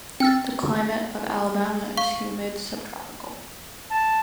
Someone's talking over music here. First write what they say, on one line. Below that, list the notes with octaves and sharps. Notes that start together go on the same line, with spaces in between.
The climate of Alabama is humid subtropical.
C4 G5 E6 A6
F5 C#6
A5